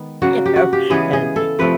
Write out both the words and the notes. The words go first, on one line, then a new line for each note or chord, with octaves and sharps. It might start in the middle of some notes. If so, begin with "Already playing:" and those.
you know, and,
Already playing: D#3 G#3 B3
C#3 F#3 A#3 F#4
G4
F#4
G4
C#3 E3 G#3 B3 G#4
G#4
A4
C3 F3 A3 B4